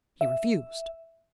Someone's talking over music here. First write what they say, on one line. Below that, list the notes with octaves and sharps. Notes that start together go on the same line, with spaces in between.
He refused.
E5